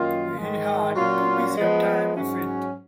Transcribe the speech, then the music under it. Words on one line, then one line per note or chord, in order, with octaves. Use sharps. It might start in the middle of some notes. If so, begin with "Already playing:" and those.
He had too busy a time of it.
Already playing: F#2 D#3 A#3 F4
G#2 D#3 G#3
A#2 F#3 C#4 F4
F3 G#3 B3
G#2 F#3 C#4